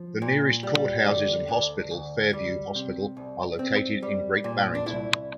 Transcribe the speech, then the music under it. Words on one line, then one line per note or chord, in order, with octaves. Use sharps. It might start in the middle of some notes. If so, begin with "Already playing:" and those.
The nearest courthouses and hospital, Fairview Hospital, are located in Great Barrington.
Already playing: F3
A#2
G3
D3
D2 D4
D2
G3
C3
C2
C4
G3
A#2
D4
C2 E4